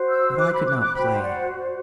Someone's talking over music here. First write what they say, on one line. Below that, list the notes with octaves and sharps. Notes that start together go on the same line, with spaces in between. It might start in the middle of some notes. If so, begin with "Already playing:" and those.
But I could not play.
Already playing: F#4 C5
E6 G6
D6 F#6
B5 D6
D6 F#6
E6
D6 F#6
F#4 C5 G5 B5
D5 F#5